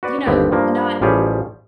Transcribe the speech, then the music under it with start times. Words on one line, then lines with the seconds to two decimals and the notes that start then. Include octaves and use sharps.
you know, not
0.03 F#4 B4 D5
0.26 G1 D#2 B3 C4 G4
0.52 G2 F3 A#3
1.01 A1 F3 G3 G4 G#4 C#5